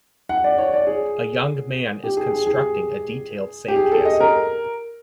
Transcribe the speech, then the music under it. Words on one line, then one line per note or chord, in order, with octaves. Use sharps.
A young man is constructing a detailed sand castle.
F#5
D5
C#5
D5
G#4
G4
G#4
G#4
G#4
G4
G#4
A4
D#5
A#4